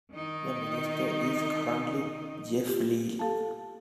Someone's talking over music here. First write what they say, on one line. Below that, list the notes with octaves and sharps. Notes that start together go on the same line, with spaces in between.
The Minister is currently Jeff Leal.
D#3 D#4
F4 G4
G4 A4 F5 A5